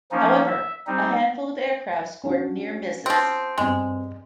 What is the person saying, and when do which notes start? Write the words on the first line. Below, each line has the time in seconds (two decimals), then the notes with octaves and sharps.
However, a handful of aircraft scored near misses.
0.12 F3 A#3 C#4 D#4
0.48 E5
0.87 G3 C4 D#4
2.24 C#4 D4 F#4
3.06 F3 C4
3.58 G2 G#3 C4